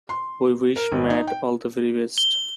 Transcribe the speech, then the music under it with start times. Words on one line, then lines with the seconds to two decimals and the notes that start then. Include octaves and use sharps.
We wish Matt all the very best.
0.09 C6
0.76 A#4
0.92 G#1
1.10 D#4
1.27 G5
2.18 G7